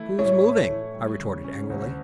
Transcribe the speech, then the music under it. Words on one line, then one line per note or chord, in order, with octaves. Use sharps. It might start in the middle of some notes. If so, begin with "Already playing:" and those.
"Who's moving?" I retorted, angrily.
Already playing: E3 A3 E4
A2 C#5
A3
E3
G3
C#3
C#4
D2